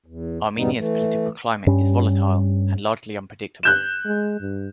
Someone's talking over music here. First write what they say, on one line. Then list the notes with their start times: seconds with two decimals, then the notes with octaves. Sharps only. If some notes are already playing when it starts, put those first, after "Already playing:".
Armenia's political climate is volatile and largely unpredictable.
0.06 E2
0.57 E2 G#2 B2 G3 B3 D#4
0.78 E3 A3
1.67 G2 G3 C#4
3.63 F#6 G6 E7
4.05 G#3
4.40 G2